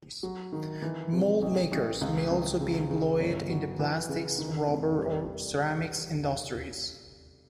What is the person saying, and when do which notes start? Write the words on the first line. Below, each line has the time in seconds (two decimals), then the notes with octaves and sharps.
Moldmakers may also be employed in the plastics, rubber or ceramics industries.
0.23 F#3
0.52 D#3
0.82 E3
1.13 C3
1.42 A1
1.72 A1
2.01 C#2
2.30 C#2
2.60 C#3
2.90 C#3
3.20 G1
3.49 F#3
3.79 E3
4.09 C#3
4.38 D#3
4.68 F1
4.98 G3